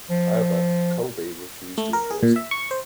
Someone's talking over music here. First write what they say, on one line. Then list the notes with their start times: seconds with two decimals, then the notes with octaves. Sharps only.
However, Kolbe refused to endorse him.
0.10 F3
1.78 A3
1.93 A#4
2.11 G#4
2.23 A#2
2.36 E5
2.51 C#6
2.71 C5